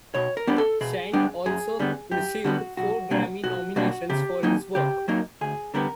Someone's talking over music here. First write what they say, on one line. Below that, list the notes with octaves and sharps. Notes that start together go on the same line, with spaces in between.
Shand also received four Grammy nominations for his work.
B2 C#5
A#4
G3 B3 D4
A4
B2 G#4
G3 B3 D4
F#2 G#4
D3 G3 B3
F#2 G4
D3 G3 B3 F#4
B1 F#4
B2 G3 A#3 D4
B1 F#4
B2 G3 A#3 D4 F#4
C#3 G4
F#3 A#3 D#4
C#3 G4
F#3 A#3 D#4
D2 G#4
D3 G3 B3 A#4